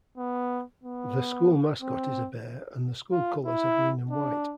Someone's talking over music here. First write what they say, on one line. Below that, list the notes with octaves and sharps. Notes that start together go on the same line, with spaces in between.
The school mascot is a bear and the school colors are green and white.
B3
B3
C4
F4
E4
D4